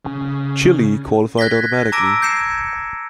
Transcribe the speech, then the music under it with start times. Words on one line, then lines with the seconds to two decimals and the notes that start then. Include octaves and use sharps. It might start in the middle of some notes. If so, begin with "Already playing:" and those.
Chile qualified automatically.
0.05 C#3
1.38 F#6 G#6 A#6 B6 G7
1.92 A5 A#5 D6 E6 A#6 D7
2.22 G6 G#6 C7 C#7 E7